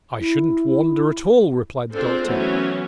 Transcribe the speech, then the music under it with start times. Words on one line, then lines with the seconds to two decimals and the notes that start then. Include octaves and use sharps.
'I shouldn't wonder at all,' replied the doctor.
0.20 E4
1.92 C4 D4 F4 G#4 A4 C5
2.26 E3 F#3 A3 B3 C#4